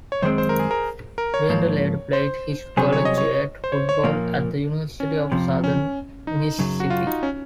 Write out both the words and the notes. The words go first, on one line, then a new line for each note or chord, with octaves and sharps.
Winder later played his collegiate football at The University of Southern Mississippi.
C#5
F#2 D#3 G#3 C4 C5
C5
A#4
G#4
A#4
A#4
C#5
G#2 F3 A#3
C5
C2 C3 F#3 C#4 G#4 C5
C#5
D#5
C#5
C5
C#5
C#5
A#2 F3 A#3
C#4
F2 C3 F3
C#4
D#4
F#2 C#3 F#3
F#4
F4
D#4
C#4